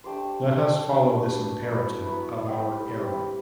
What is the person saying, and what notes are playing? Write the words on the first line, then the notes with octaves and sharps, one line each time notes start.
Let us follow this imperative of our era.
A3 D4 G4 C5
A3 D4 G4 C5
G3 B3 D4 F#4
G3 B3 D4 F#4
F#3 B3 E4 B4
F#3 B3 E4 B4
G3 C4 G4 B4
G3 C4 G4 B4